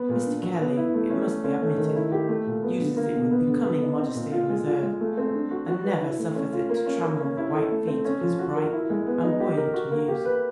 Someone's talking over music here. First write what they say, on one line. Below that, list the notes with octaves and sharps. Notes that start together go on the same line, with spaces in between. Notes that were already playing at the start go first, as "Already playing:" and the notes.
Mr. Kelly, it must be admitted, uses it with becoming modesty and reserve and never suffers it to trammel the white feet of his bright and buoyant muse.
Already playing: B3
A#2
D4
F#3
B3
E4
A3
C#4
A3
C#4
A3
D#3
E4
G4
A3
A#2
B3
D3
A#3
B2
B3
D3
B3
D#4
C4
A#2
F4
G#3
F4
G#3
A3
C4
D4
F#4
F#4
B4
E4
A3
C#4
F4
A#3
C#4
A#3
C#4
E4
A4
A3
C4
C#4
F3
F#4
A#4
E4
G#3
B3
D#4
G4
A#4
F#4
A#3
G4
B4